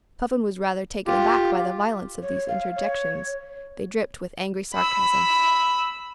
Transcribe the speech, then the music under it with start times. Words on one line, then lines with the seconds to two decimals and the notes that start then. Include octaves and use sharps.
Puffin was rather taken aback by the violence of these interjections; they dripped with angry sarcasm.
1.07 F4 G4
2.23 C#5
2.48 F5
2.76 C#5
4.74 B5 E6